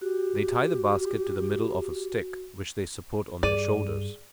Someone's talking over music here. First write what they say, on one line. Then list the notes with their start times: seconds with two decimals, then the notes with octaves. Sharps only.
They tie the basket to the middle of a stick, which they support on their shoulders.
0.01 F#4 G4
3.43 G2 G#4 D5 D#7